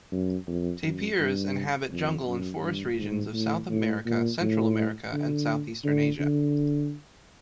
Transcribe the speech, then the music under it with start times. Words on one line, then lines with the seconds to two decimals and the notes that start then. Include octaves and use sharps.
Tapirs inhabit jungle and forest regions of South America, Central America, and Southeastern Asia.
0.12 F#2
0.47 F2
0.83 F#2
1.20 G2
1.91 F2
2.27 F#2
2.62 G2
2.98 G#2
3.34 A2
3.70 A2
4.06 A#2
4.41 A2
5.13 D3
5.84 D3
6.20 D3